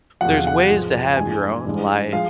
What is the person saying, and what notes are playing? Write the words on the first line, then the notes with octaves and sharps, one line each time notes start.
there's ways to have your own life
E2 C3 F3 F#5
F5
F#5
G#2 F3 G#3
G2 E3 G#3 G#5
G2 E3 G#3
F3 G#3 F5